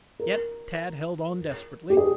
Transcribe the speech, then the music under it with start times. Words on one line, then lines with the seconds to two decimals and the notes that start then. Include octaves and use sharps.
Yet Tad held on desperately.
0.20 A#4
1.90 G4
1.97 G#4